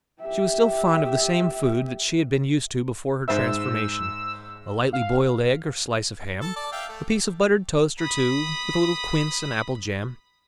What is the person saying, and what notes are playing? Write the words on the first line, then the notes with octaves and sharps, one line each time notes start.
She was still fond of the same food that she had been used to before her transformation, a lightly boiled egg or slice of ham, a piece of buttered toast or two, with a little quince and apple jam.
G4 E5
G#2 C5 E5 E6
F5
A4 A5
D5 A5
E5 F5 G5
A3
B5 D#6